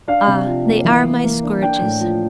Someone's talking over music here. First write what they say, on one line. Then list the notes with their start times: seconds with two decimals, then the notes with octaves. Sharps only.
"Ah, they are my scourges."
0.08 D4 F5
0.27 C3
0.46 F3
0.66 A#3
0.85 E3
1.04 E3
1.24 A#3
1.43 D4
1.62 D4 G5
1.82 A2
2.01 F3